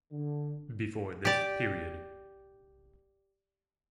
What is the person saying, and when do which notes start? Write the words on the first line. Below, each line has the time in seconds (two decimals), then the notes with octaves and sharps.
Before this period.
0.12 D3
1.25 G4 D5